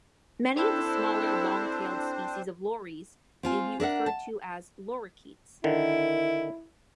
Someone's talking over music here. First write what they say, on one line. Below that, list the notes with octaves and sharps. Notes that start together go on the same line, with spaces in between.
Many of the smaller, long-tailed species of lories may be referred to as "lorikeets".
C4 D4 E4 A4 C5
C4 F4 G#5
D4 A#4 E5 F#5
A5
D3 D#3 E4